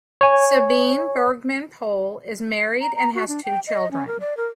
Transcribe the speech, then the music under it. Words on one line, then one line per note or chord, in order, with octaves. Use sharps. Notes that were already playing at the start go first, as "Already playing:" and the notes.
Sabine Bergmann-Pohl is married and has two children.
C#5 G#5
A#5
A#5
F#4
D4
G5
D#5
C#4
A#4
D5
A#4